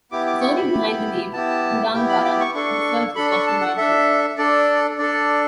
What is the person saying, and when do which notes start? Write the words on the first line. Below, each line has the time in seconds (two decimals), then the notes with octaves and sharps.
The story behind the name "Gudang Garam" deserves a special mention.
0.12 B3 E4 G4 D6
0.27 D6
0.41 C#6
0.57 B5
0.72 B3 E4 G4
1.33 B3 E4 G4 A5
1.94 B3 E4 G4 G5
2.09 B5
2.25 D6
2.40 C#6
2.54 D4 A4 C#6
3.16 D4 A4 B5
3.32 C#6
3.47 A5
3.61 F#5
3.77 D4 A4 E5
4.38 D4 A4 D5
4.98 D4 A4 D5